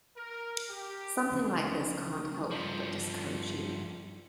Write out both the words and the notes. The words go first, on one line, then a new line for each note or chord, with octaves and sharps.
Something like this can't help but discourage you.
A#4
G4
C#2 F3 G#3 F#4 C#5
G2 F3